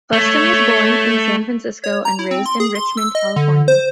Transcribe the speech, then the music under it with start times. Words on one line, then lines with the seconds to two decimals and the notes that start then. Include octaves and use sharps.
Buston was born in San Francisco and raised in Richmond, California.
0.13 A3 C#5
1.84 C#5
2.05 A#5
2.19 E4
2.31 C4
2.46 C6
2.60 G#4
2.75 C6
2.97 E6
3.15 D#5
3.36 D3
3.68 C5